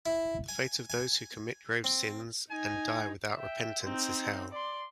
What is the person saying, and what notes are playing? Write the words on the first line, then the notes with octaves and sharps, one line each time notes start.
The fate of those who commit grave sins and die without repentance is Hell.
E4
G#5
G#5
C4
D#4 G#5
E5 G5
C4 D#4
D5 C6